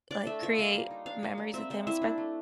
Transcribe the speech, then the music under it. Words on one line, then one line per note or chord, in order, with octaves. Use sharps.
like create memories with him, espe
D4 D5
A3 E5
F4 E5
A#3 F5
G3
D#4
D4 F5
A#3
G3
C4 E5
G3 E5
E4 E5
D4
A3